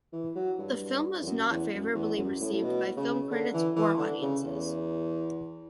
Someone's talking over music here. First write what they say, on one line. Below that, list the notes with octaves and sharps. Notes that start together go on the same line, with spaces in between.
The film was not favourably received by film critics or audiences.
E3
F#3
G2
E2
F#2
E2
F#2
E2
F#2
A2
A2
B2
C#3
D3
E3
E3
D3
C#3
E2